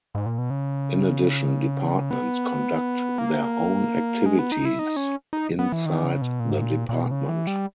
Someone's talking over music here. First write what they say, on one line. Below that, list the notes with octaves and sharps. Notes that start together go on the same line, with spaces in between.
In addition, departments conduct their own activities inside the department.
G#2
A#2
B2
C#3
B3
A#3
G#3
B3
D#4
E4
D#4
C#4
D#4
B3
E3
D#3
C#3
B2
A#2
G#2
A#2
A#2
B2
C#3
E3
G3